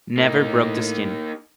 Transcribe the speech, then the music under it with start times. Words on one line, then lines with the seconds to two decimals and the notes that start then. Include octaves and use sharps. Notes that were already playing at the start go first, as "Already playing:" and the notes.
Never broke the skin.
0.17 A2 A#3 D#4